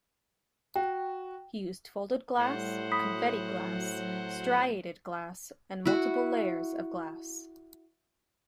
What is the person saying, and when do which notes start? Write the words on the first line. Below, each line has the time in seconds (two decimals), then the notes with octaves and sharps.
He used folded glass, confetti glass, striated glass, and multiple layers of glass.
0.75 F#4 G5
2.39 A2 G3 C5 F#5
2.92 F#3 B5 D#6 B6
5.85 E4 F#4